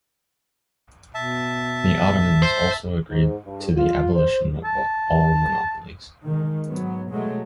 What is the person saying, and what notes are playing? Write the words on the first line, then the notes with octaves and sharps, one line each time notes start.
The Ottomans also agreed to the abolition of all monopolies.
B2 E5 A5
C5
G#2
G2
F4
C5
A5
D#3 G#3
G#2 F#3 B3
B2 F#3 G#3 A3